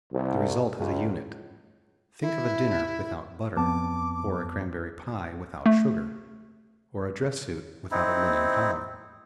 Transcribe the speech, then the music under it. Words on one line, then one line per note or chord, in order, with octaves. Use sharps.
The result is a unit. Think of a dinner without butter, or a cranberry-pie without sugar, or a dress-suit without a linen collar.
C2
C#2
E4
F2 B3 A5 D6
A3
C4 D#4 E4